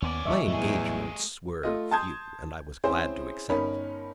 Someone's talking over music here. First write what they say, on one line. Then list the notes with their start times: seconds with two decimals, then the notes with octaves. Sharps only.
My engagements were few, and I was glad to accept.
0.02 D#2 B3 C#4 D5
0.25 A1 C3 E3 D#5 E5 C#6
0.48 E2 A2 F#3 G3 A3 G#4
1.63 A3 F4 D#5
1.91 A5 C6 D#6 G6 G#6
2.84 C4 C#4 E4 G#4 C5
3.49 G1 C#4 D#4 A#4 B5